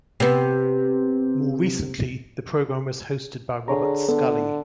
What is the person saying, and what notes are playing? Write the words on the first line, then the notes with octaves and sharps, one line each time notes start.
More recently, the program was hosted by Robert Scully.
C3 B3
D3 G#4 C#5 A#5
D3 B3 A4